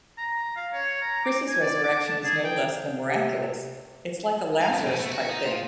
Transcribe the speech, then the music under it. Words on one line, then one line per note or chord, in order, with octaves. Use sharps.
Cris' resurrection is no less than miraculous -- it's like a Lazarus-type thing.
A#5
F5
C#5
A#5
D6
G#5
D5
D6
A5
G#4
G5
C3
F5
F2
B2
A3
F#4
D#4
F4